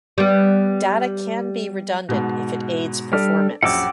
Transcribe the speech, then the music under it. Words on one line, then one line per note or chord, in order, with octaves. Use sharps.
Data can be redundant if it aids performance.
G3 B3
G#2 B2
G3 D4 A4 D5 F6
A#1 F#2 F#5 G5 D6 E6